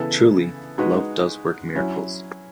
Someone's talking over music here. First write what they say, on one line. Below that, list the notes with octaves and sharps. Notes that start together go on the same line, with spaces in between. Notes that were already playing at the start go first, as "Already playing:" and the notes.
Truly, love does work miracles.
Already playing: C#3 E3 B3 E4 A4
G#3 D#4 F#4 B4
F#3 C#4 E4